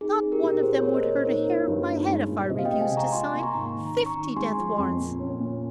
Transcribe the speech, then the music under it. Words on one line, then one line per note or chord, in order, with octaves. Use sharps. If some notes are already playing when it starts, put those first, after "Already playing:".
Not one of them would hurt a hair of my head if I refused to sign fifty death-warrants!
D#4 G#4
C4
G4 A#4
A#2
F4 G#4 C5
A#4 C#5
C4
C5 D#5
A#2
D#4 A#4 C#5
A#3
G2
D#4
G#3
A#2
C3 C5 D#5
F5
D#5 G5
G#3
F5 G#5
C3
A#5 C#6
F4 G#5 C6
A#3
A#5 C#6
G#2
D#3
C#4
A#5 C#6
D#3
G#3 G#5 C6
F3
F2
A#2
C#4
A#2